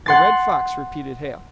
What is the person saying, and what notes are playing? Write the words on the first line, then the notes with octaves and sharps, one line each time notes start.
"The Red Fox," repeated Hale.
F#5 C6 A6